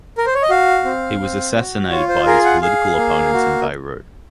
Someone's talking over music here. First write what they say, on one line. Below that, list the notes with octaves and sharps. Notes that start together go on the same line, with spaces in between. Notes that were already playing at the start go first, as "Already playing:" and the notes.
He was assassinated by his political opponents in Beirut.
A#4
C5
C#5
D#5
F#4 F5
C4
C4
F#4
F4 C#5
C5
G#4 A#4
F#5
G#4 F5
A#3
F#4